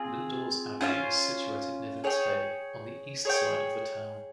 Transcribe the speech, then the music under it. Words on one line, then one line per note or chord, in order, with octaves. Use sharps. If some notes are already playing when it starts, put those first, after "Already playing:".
Lindores Abbey is situated near the Tay, on the East side of the town.
Already playing: C4 F4 G#4
C#4 F4 C5 F5
G#4 C#5 G5
G#4 C#5 G5